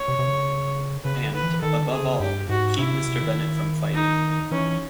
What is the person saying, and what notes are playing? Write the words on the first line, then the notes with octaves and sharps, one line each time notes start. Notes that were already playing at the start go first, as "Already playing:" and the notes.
And, above all, keep Mr. Bennet from fighting.
Already playing: C#5
C3
C3
C#3
C#3 B4
D3
B4
E3
D#3 A4
D3
G#4
C#3
G2 G4
G#2 F#4
C3 E4
C#3
C3
D#3
D#4
E3 C#4